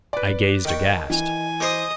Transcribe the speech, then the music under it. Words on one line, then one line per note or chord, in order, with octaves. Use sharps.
I gazed aghast.
B4 D5
D#3 G5 C#6
E3 G#5
C5 D#5 D6 D#6